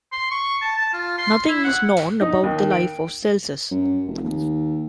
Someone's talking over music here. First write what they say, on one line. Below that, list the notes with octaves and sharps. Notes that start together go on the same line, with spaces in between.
Nothing is known about the life of Celsus.
C6
C#6
A5
A5
F4
C6
E4
F#5
D#4
D#2
D7
F#2
F1
D#2